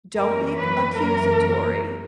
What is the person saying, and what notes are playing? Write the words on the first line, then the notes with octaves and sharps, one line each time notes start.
don't be c accusatory,
F#2 E3 A#3 C#4 A#4
B4
F#2 E3 A#3 A#4